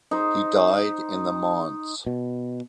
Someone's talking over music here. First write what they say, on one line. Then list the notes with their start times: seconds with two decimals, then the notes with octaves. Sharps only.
He died in the manse.
0.11 D#4 C5
2.06 B2